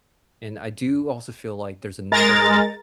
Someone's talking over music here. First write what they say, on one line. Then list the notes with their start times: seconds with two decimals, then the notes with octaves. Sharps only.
and, I do also feel like there's another
2.12 G#3 A#4 A#5 A6